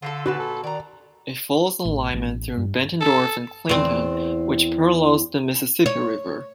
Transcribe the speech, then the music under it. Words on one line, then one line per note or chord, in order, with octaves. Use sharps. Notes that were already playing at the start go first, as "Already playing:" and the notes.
It follows an alignment through Bettendorf and Clinton which parallels the Mississippi River.
D3 F4 F#4 A4
A#2 F#4 B4 A5
A4
D#3 D5 A#5
A1
A1
G2
A4
E2 C4
C#5